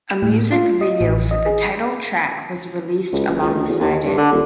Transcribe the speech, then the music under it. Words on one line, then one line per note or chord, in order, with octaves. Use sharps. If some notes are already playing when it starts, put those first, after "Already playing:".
A music video for the title track was released alongside it.
A2
F4
D#5
A1
D#5
G#4
C#2
F#1
C#2
D2
E2
D#2
G2
D3
D#1